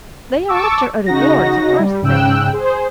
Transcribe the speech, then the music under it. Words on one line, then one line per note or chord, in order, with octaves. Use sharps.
"They are after a reward the first thing."
A5 C#6 D6 E6
C#3 D#4 F#4 A#6
G3
G#2 C#3 G5 E6 F#6
G#4 C5